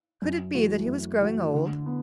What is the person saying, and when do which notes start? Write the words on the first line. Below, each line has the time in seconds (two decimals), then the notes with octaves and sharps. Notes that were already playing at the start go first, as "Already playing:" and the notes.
Could it be that he was growing old?
0.22 F#2
0.55 E3 A3 F#4
0.87 F#2
1.21 E3 A3 F#4
1.54 D3
1.86 B3